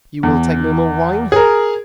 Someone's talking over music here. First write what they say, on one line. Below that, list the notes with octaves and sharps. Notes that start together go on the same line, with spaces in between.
"You will take no more wine?"
E2
G#4 A#4